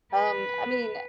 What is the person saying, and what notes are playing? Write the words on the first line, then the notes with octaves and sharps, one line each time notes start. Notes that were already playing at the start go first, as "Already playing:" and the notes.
Um, I mean,
B4